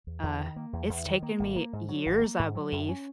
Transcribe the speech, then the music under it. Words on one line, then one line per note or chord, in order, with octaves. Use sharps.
Uh, it's taken me years, I believe.
E2
E2
D#3
A#3
E2
E2
D#3
A#3
G#1
A#3
G#2
F#3
G#1
A#3
G#2
F#3
F#2
C#4